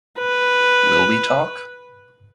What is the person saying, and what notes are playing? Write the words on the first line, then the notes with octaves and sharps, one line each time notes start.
Will We Talk?
B4